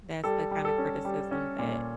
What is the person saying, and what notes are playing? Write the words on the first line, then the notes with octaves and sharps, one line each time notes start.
That's the kind of criticism that
G3 A4
G3
A4
C#4
G3
C#4
A#2